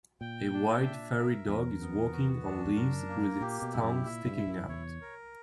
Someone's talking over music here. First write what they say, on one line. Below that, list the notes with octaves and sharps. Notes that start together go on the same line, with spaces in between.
A white furry dog is walking on leaves with its tongue sticking out.
A#2 G5
D4
E5
A#4
E2 A#4
B3
F#4
D4
E2
F#2 A#4
A#3
A#2 G4
B2
G2 E4
F#2
A#2 E5
G2
E4
F#2
E2 C#5
A#4